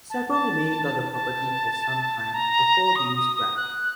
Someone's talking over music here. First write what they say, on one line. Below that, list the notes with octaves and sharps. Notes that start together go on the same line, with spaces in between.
Several remained on the property for some time before being scrapped.
A5
A5
A5
A#5
D#6
D#6
D#6
F#6